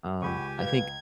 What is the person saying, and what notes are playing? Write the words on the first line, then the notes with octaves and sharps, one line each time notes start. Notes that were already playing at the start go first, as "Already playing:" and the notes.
Um, I think
C#2 G4 F#5 G#5 B5 C#6
B4 F5 G#6